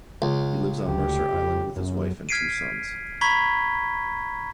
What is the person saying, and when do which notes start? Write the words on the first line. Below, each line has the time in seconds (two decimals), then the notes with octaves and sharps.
He lives on Mercer Island with his wife and two sons.
0.22 C#2
0.87 D2 G4
1.33 F2
1.76 F#2
2.29 F6 G#6 B6 C7 D7 D#7
3.21 A#5 B5 C#6 G#6 B6 G7